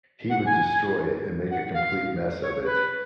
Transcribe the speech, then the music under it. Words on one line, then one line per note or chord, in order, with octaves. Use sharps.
he would destroy it and make a complete mess of it.
F#5
G#5
F#5
F5
C#5
B4